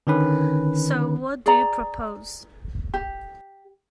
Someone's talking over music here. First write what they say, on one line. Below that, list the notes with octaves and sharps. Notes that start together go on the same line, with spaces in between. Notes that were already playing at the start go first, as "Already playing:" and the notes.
So, what do you propose?
D3 D#3 C#4 B4
G#4 D5 A#5
G4